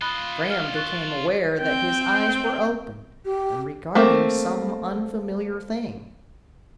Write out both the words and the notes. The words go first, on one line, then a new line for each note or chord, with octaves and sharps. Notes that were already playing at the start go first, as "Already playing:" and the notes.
Graham became aware that his eyes were open and regarding some unfamiliar thing.
F4 D#5 B5 D#6 F#6
F6
C#6 F#6 A6
C4 G5
G4
A3 A#3 C4